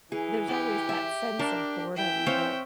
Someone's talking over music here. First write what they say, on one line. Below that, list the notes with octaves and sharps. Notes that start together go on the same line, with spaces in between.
there's always that sense of boredom that,
E3 G#4
G4 D5
E5
D4 A#4 A5 C6
E3 E5 G5
C4 C#5 F5